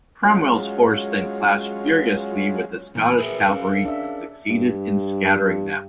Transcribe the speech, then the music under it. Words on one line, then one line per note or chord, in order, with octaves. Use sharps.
Cromwell's horse then clashed furiously with the Scottish cavalry and succeeded in scattering them.
F#3 G#3 C#4 F4
A#2 E3 G#5 A#5 B5
G#4 A#4 B4 E5
C#4 F5
D4 E5
G2